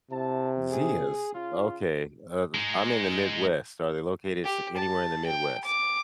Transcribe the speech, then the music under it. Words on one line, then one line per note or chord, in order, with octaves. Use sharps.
Zea’s? Okay, uh I'm in the Midwest. Are they located s anywhere in the Midwest?
C3 E4 A5
G#4
C#3 F4
G#3 D#4
G4
A5
G5
D6